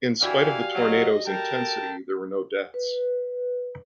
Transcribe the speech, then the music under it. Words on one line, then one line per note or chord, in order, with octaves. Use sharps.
In spite of the tornado's intensity, there were no deaths.
D3 E3 E4 F#4 G4 D5 F5 G#5
F#3 D#5
A4 A#4 G5 A5
B4